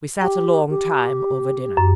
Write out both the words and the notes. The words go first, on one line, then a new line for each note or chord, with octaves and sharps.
We sat a long time over dinner.
G4 G5
G4
F#2